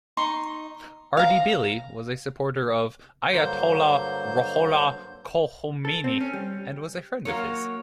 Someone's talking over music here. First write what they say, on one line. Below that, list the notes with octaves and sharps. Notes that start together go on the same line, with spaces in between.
Ardebili was a supporter of Ayatollah Ruhollah Khomeini and was a friend of his.
D#4 C6 C#6
F5 A#5
G2 D3 F#3 A#3 C5 G6
A4
C4
C#4
G3
F#3 A#3 A#4 C#5